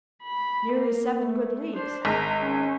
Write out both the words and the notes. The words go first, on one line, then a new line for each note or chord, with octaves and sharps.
"Nearly seven good leagues."
B5
A#3
A3
D4 C5
G#1 A#5
C#4